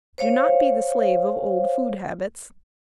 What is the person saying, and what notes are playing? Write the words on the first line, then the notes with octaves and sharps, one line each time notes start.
Do not be the slave of old food habits.
C5 C#5 F5